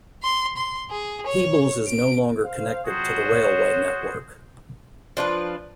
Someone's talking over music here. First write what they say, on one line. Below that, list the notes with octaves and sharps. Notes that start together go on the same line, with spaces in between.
Peebles is no longer connected to the railway network.
C6
C6
G#4
C#5
D7
C5 F5
F2 C3 F#3 F#4 G#4 C5
C#5
F3 D4 F4 B4